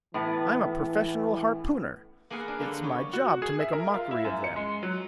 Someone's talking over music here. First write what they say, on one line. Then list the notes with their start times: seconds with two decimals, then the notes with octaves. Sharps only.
"I'm a professional harpooner! It's my job to make a mockery of them!"
0.14 A2 E3 B3
2.30 A#3 B3 G#4 A#4 B4 F#5
2.48 D4
2.60 D3 G3 A#3
2.83 B3 G4 C#5
3.13 F#4
3.42 G#4
3.60 E5
3.73 A#4
3.94 F4
4.11 E4
4.24 F#2
4.44 C#7
4.56 G#3
4.83 F#3